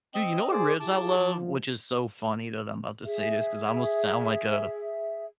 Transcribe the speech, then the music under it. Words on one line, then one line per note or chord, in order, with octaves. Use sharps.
Dude, you know what ribs I love? Which is so funny that I'm 'bout to say this, 'cause I almost sound like a
C4 D#5
G#4 C5 D5 D6
E4 G4 G#4 A5 D6
F3
G#4 E5